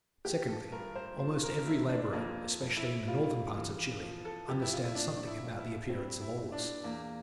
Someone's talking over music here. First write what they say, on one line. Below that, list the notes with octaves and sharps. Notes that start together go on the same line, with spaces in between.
Secondly, almost every labourer, especially in the northern parts of Chile, understands something about the appearance of ores.
F3 G4
A4
G2 A#4
C5
F3 C5
A#4
F3 E4
D4
F2 A#3
F2
E4
G3 F4
E3
F3
A4
F2 G4
E4
F4
E4
A#2 D4
E4
F3
E4
G3 C4
E4
A#2
D4
E2 A#3